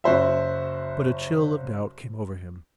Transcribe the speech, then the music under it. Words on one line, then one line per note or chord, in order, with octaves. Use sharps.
But a chill of doubt came over him.
F#1 F#4 C5 E5